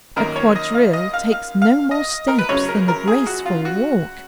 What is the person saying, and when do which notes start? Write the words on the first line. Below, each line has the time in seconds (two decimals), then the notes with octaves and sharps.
A quadrille takes no more steps than a graceful walk.
0.16 F#2 D#3 A#3 A#4
0.36 C#5
0.56 D#5
0.74 F5
0.93 D#5
1.14 F5
1.32 F5
1.62 F5
1.91 D#5
2.28 A#4
2.38 B4
2.49 F#2 C#3 F#3 C#4 C#5
2.68 A#4
2.88 A#4
3.08 G#4
3.27 F#4
3.45 F4
3.65 F#4